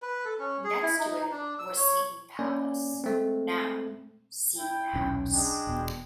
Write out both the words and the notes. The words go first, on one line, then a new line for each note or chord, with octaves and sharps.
Next to it was Seton Palace, now Seton House.
B4
A4
C#4
G#4
E4
D#4
D4
E6
C#5
A#3 C#4 D5 G#5
G#3 A3 C4
E4 G5
D#1 B1 C#4
G#3 D4 G5
E1 B2